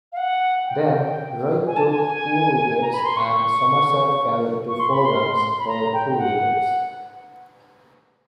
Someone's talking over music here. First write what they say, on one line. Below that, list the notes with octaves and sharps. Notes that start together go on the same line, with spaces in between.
Then, Wright took two wickets and Somerset fell to four runs for two wickets.
F5
F#5
G5
G#5
A5
G#5
A#5
B5
C6
C#6
C#6
C6
B5
C6
B5
A#5
G5
F#5